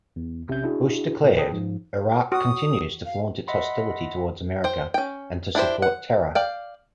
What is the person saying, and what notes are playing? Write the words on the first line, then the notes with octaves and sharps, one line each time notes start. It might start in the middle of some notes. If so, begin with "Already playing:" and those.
Bush declared, Iraq continues to flaunt its hostility toward America and to support terror.
E2
A#1 C3 C#4 E5 G6
D4 E4 F#4 G#4
A#2
G#4 A4 B4 G5 A5 D#6
G#2 F3
F#4 D#6
F5
D#5 E5 F#5 B5 C6
C5 G5
C#4 G5
D4 E4 G4 C5
F#5
D5 F5 G5